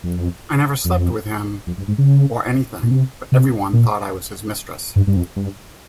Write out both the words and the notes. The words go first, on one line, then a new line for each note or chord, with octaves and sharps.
I never slept with him or anything, but everyone thought I was his mistress.
F2
F2
F2
G2
G#2
C#3
A#2
C3
C3
A#2
G2
G2
F2
G2